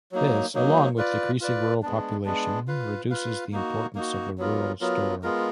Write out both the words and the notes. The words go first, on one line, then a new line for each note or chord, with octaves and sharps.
This, along with decreasing rural population, reduces the importance of the rural store.
F#3 A#3 D#4
F#3 A#3 D#4
F4 B4 D5
F4 B4 D5
G#3 B3 D4
G#3 B3 D4
F4 B4 F5
F4 B4 F5
A#3 D#4 F#4
A#3 D#4 F#4
F#3 B3 F4 A#4
F#3 B3 F4 A#4
G#3 B3 F4 A#4